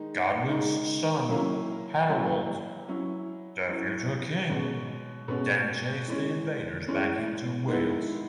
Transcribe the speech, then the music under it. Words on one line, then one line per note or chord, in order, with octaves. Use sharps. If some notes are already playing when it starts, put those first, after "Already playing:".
Godwin's son, Harold, the future king, then chased the invaders back into Wales.
Already playing: D#3 G#3 D#4
D#3 G#3 D#4
F#3 A#3 C#4 E4
F#3 A#3 C#4 E4
F#3 C#4 E4
F#3 C#4 E4
B2 G#3 C#4
B2 G#3 C#4
E3 G#3 C#4
E3 G#3 C#4
D#3 G#3 B3 E4